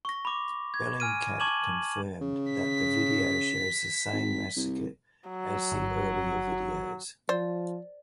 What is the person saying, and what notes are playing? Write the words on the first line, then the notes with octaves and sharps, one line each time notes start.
Bellingcat confirmed that the video shows the same massacre as the earlier videos.
C#6 A#6
B5 D6
G#6
G#5 F6 D#7
A5 C#6 D6 G#6 E7 F#7
C#3
B6
G#1
C2
F#3
G1
F3 C5 D5